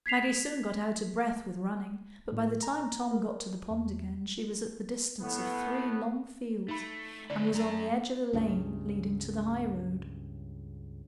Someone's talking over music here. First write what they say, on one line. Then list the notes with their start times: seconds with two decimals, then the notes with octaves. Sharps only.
Maggie soon got out of breath with running, but by the time Tom got to the pond again she was at the distance of three long fields, and was on the edge of the lane leading to the highroad.
0.06 G#6 B6 C7 F7
2.32 A2
2.63 A#5
3.11 A#4
3.70 E2
5.20 A2 B3
6.68 A3 D#4 B5
7.30 D3 E4 D5
7.52 F#2 A#5
8.33 C#2 G2 C#3